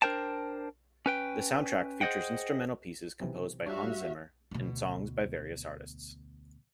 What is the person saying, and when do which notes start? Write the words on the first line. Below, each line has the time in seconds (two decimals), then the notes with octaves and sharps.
The soundtrack features instrumental pieces composed by Hans Zimmer and songs by various artists.
0.02 D4 A#4 C5 G5 A5
1.06 C#4 B4 G5
2.01 G#4 C5 C#5 D#5 F#5 G5
3.20 B1 C3 E3
3.66 G3 D4 F#4 C#5 E5 F5
4.51 D2 B2